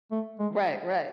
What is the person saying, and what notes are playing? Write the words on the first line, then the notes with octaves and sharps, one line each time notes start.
Right, right.
A3
G#3